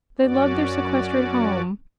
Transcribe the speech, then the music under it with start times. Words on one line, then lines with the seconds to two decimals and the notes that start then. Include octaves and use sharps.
They loved their sequestered home.
0.19 F#2 C#4 F#4 D5